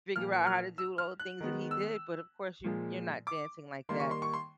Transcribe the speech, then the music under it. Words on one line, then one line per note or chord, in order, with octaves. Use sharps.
figure out how to do all the things that he did, but of course you you're not dancing like that,
A#2 F3 A#3 F6
F6
E6
F6
F#6
D#3 G#3 B3
E6
A#2 F3 G#3
D6
D#3 G3 A#3 C6
C#6
C6
C#6
C6